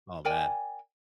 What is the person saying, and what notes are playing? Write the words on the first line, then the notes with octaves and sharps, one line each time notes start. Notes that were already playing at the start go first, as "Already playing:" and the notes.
Oh, man.
A#4 D5 G5 G#5